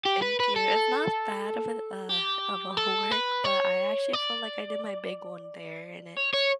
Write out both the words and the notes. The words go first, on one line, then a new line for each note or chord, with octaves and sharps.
Thank you. It's not bad of a, uh of a work, but I actually feel like I did my big one there, and it,
G4
B4
B4
A4
G4
A4
B4
C#5
D5
C#5
C#5